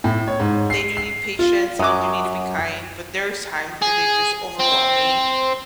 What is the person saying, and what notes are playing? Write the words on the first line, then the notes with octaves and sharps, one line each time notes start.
they do need patience, and you do need to be kind, but there's times where they just overwhelm me,
A2
C#5
G#2
C7
C7
F4
F#2 F#3 D#5 D6
G#4
C4